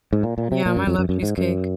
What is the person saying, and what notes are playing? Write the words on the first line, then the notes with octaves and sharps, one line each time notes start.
Yum, I love cheesecake.
G#2
A#2
A#2
C3
A#2
F#2
F2
F#2
F#2
G#2
F#2